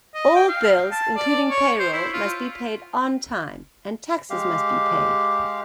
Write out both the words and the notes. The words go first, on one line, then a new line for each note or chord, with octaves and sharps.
All bills, including payroll, must be paid on time, and taxes must be paid.
D#5
G5
F5
A5
D5
C#5
C5
E4
F4
G#3 G4 F5